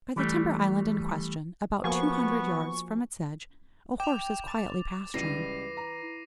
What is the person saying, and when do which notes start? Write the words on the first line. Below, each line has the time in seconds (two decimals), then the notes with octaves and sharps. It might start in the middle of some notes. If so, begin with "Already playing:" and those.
By the timber island in question--about two hundred yards from its edge--a horse is quietly pasturing.
0.16 E3 G3 A3
1.84 F3 A#3 B3 F#4 G#5 C#6
4.00 G5 D6 F7
4.48 A6
5.14 C#2 E3 G3 A#6 C7 D#7
5.77 A#5